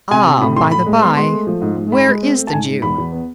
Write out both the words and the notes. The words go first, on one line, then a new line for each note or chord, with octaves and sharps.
"Ah! by-the-bye! where is the Jew?"
C3 G#5
C3
A2 B5
A2 C6
A2 B5
G#3
B3 C6
G#3 C6
A3
F3
G#2
G#2
G#3 B5
G#3
C4
A3
A5
G#2 G#5
G#2
E2 B5
E2
B3